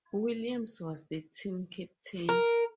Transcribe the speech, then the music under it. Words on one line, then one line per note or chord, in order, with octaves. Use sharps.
Williams was the team captain.
A#4